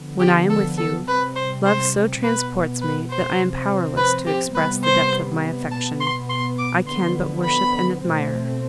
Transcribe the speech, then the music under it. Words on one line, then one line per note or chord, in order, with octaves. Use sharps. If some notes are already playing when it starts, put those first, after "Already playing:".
When I am with you, love so transports me that I am powerless to express the depth of my affection; I can but worship and admire.
Already playing: D3 F3 B3
G4
A4
A4
C3 G3 C4 B4
C5
C5
B2 B3 B4
B4
C5
C3 F3 C4
B4
G4
C3 G3 B3 B4
C5
B2 B3 A5
C6
C6
D6
D3 F3 B3 C6
B5
B2 A3 C4